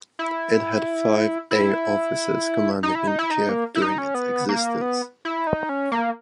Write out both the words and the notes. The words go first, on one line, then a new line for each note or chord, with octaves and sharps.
It had five Air Officers Commanding in Chief during its existence.
E4
E4
D#4
E4
D#4
E4
D#4
A#3
E4
D#4
C#4
B3
A#3
B3
E4
D#4
C#4
A#3